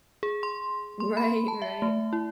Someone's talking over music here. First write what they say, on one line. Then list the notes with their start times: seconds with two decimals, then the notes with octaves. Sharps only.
Right, right.
0.23 G#4
0.43 C6
1.00 C6
1.17 B5
1.48 A5
1.62 E5
1.82 A3
2.13 E4